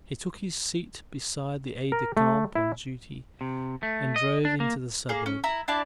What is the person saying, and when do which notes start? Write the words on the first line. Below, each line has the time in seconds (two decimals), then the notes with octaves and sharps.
He took his seat beside the aide-de-camp on duty and drove into the suburb.
1.92 A#4
2.17 A3
2.55 E4
3.41 C3
3.83 A3
4.16 D#5
4.45 D4
4.60 A#3
5.09 A#3 G#4
5.26 C#4
5.44 E4 A#5
5.68 D4 E4 D5 A5